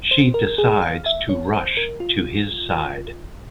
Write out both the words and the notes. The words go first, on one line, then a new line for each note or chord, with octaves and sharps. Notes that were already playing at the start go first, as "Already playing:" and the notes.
She decides to rush to his side.
C5
A#4
G#4
F5
E5
C#5
C5
A#4
F4